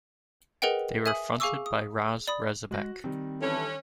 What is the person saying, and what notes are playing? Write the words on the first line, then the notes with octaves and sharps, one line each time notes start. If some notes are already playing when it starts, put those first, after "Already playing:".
They were fronted by Rozz Rezabek.
G#4 A#4 B4 D#5 F#5 G5
E5 G#5 D#6 F#7
G#4 F5 G#5 C#6 D6 E6
D#6
D5 B5 D#6
G#3 F#4 F#6 A#6
D#3 G3 C4
D3 E3 C#4 E4 A4